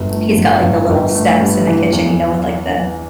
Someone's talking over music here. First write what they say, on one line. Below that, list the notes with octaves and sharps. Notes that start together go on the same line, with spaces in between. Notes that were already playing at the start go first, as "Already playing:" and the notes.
he's got, like, the little steps in the kitchen, you know, with, like, the
Already playing: G1
A3
G1
G1
G1
A3
G2
E3
E2